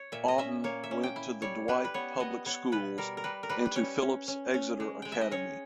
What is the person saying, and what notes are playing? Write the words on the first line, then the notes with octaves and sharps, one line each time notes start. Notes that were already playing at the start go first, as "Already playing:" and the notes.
Oughton went to the Dwight public schools and to Phillips Exeter Academy.
Already playing: C#5
A#2 E5
D#5
C#4 E5
A#3 C#5
E5
C#4
G5
E4
G3 C#5
G3 B4
B4
B3 C#5
B3 D#5
B3 C#5
B2 B4
G3 A#4
A#4
G3 B4
A#4
G3 B4
B4
C#4 C#5
C#4
C#4
C#4
G#3
G#3 G5
E5
D#5
C#4 C#5